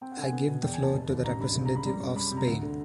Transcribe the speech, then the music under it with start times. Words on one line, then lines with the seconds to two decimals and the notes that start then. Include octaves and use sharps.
I give the floor to the representative of Spain.
0.01 C4 G5
0.12 F#5
0.17 D3 G#5
0.32 B3
0.47 B2
0.63 E2 G5
0.73 C3 G#5
0.83 A5
0.94 F1
1.09 D#2
1.24 A1 A#5
1.39 G2 B5
1.55 C#2
1.65 A#5
1.71 C3 B5
1.86 G3 A#5
2.01 F#2
2.16 G3 B5
2.27 C3 B5
2.37 A#5
2.47 D2
2.63 D3